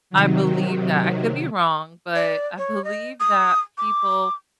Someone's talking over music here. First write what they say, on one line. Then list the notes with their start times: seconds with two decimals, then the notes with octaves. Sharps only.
I believe that. I could be wrong, but I believe that people
0.10 C3 D#3 F#3
2.15 D5
2.58 C#5
2.84 D#5
3.20 D#6
3.78 D6